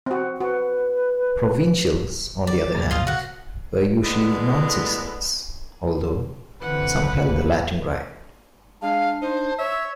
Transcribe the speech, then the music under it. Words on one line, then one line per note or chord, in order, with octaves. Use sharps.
Provincials, on the other hand, were usually non-citizens, although some held the Latin Right.
C4 F#4
F#4 B4
D5
D2 G#2 B2 F#3 A#3 G#4
G#1 F4 D#5 F5
F#4 F5 F#5
A2 D3 G#3 B3
D3 E3 C4 B4 F#5
D#2 A#3
G#3 D4 F5
D#4 C5
C#5 E5